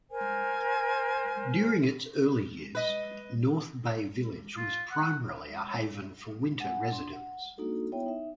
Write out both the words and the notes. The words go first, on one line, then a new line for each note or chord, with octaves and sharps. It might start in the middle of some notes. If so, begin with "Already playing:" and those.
During its early years, North Bay Village was primarily a haven for winter residents.
A#4 C5 G#5
B4 D#5
F4
F#5
F#5 G#5
D4 C6
F#5
A#3 D4 D#4 F#4 A4
B3 E4 C#5 E5 G5
D#4 E5